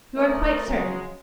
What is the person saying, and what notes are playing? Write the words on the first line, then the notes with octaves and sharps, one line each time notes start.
'You are quite certain?
A3 D#4 A#4 C5 D5 D#5
C#3 F#3 G#3